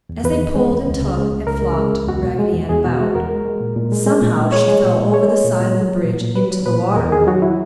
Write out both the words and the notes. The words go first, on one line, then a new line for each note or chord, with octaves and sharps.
As they pulled and tugged and flopped Raggedy Ann about, somehow she fell over the side of the bridge into the water.
E2
E2 B4
D#3
G#3
E2
C#2
C#3
G#3
C#2
C#2 A#4
C#3
G#3
C#2
E2 F#4
B2
G#3
E2
E2 G#4
B2 F#4
G#3 F#4
E2 A#4
G#3
G#3
A#2
A#2
G#3
G#3
A#2
A#2
G#3 C#5
G#3
A#2
A#2
G#3 C#5
G#3
A#2
A#2
F#3
F#3
A#2
A#2
F#3 B4
F#3
A#2 B4
A#2
E2 A#4
D#3 G#4
F#3 F#4
E4